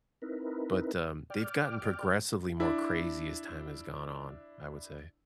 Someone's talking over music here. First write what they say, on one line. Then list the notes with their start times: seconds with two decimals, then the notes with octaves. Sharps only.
But, um, they've gotten progressively more crazy as time has gone on, I would say.
0.22 C4 D#4 E4 A#4 B4
1.30 D5 G5 D6 F6
2.60 D4 E4